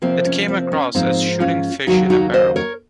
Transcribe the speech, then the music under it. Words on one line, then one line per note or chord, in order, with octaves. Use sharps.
It came across as shooting fish in a barrel.
C3 F3 A#3 C4
C#4
C4
C#4
G#2 F3 A#3 C4 D#4
C#4 F4
D#2 C#3 F#3 A#3 D#4 F#4
D#4 F#4
C5 D#5
A#4 C#5